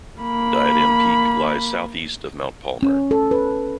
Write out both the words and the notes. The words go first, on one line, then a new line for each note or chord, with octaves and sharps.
Diadem Peak lies southeast of Mount Palmer.
A#3 B5
C#4
A4
B4